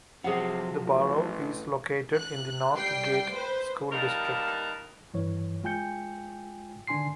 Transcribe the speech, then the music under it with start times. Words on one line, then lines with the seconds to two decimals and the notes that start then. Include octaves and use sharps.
The borough is located in the Northgate School District.
0.24 C3 F3 F#3 G#4 F#5
0.85 A1
2.16 F#6
2.74 G3 G5 C7
3.32 B4 C5
3.92 G3 A#3 D#4 A#4 B4 A5
5.14 G2 E3 C#5
5.64 G#3 F4 G5 G#5 G6 C#7
6.87 D3 D#3 D4 G#5 C6 C7